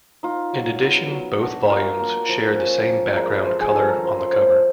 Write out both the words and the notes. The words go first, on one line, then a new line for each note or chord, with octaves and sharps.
In addition, both volumes share the same background color on the cover.
D#4 F4
F#3
B3
F#3
D4 F#4
F4 A#4
A#3
F3
C#4
F3
G#3 A#4
B4
F3 C5
G#4
C#4 A4
A#4
F3 C5
C5
A3 C#5
C5